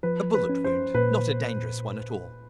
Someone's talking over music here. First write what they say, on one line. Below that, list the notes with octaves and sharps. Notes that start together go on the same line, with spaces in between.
"A bullet wound--not a dangerous one at all."
F3 B4
B4
C#4
C5
A#2 B4